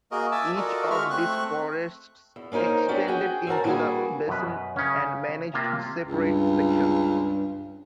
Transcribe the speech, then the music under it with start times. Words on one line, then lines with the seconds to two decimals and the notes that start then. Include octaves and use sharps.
Each of these forests extended into the basin and managed separate sections.
0.12 A#3 F#4 G#4 A#4 D#5
0.32 E5 G#5 A5 D6 E6
0.56 F4 F#4 A4 A#4 D5 D#5
0.90 G#3 F4 F#4 E5 C#6 F6
1.11 A3 C4 C#6 F#6
2.36 E2
2.52 A#3 C#4 D#4 A#4 C5
2.88 B3 C#4 D4 G4
3.08 F#4 G#4 G5
3.47 C4 C#4 F#4 A#4 A5
3.64 E3 G3 A#3 D4 F#4 G#4
4.28 F#2 B2 B4
4.76 C#3 C#4
5.52 C3 A#3 F4 E5 A#5
6.06 C#2 G2